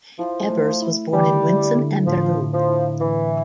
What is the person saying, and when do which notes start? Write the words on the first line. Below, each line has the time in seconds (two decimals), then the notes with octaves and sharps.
Evers was born in Winsen an der Luhe.
0.19 F3 E4
0.50 A3
0.82 E4
1.13 D3 G3
1.44 E4
1.75 D3
2.06 A2 F3
2.37 E4
2.53 F3
2.69 E4
3.00 A2 E3